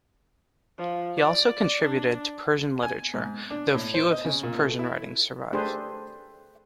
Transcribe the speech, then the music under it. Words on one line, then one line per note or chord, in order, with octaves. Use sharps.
He also contributed to Persian literature, though few of his Persian writings survive.
F3
D5
D4
G#5
G#2
D4
A2
C5
D#5
C#3
A#2
A3
E4
A3 D4 G4 G#4 B4 C5